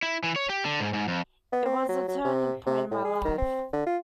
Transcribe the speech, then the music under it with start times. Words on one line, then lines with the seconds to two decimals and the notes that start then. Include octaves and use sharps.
It was the turning point in my life.
0.03 E4
0.23 E3
0.36 C#5
0.49 G4
0.65 D3
0.80 G#2
0.93 G#2
1.08 F2
1.53 B3
1.65 C4
1.89 F#3
2.08 F#3
2.25 C3
2.66 C3
2.91 A2
3.04 G#4
3.25 D#3
3.38 C4
3.73 D3
3.86 F4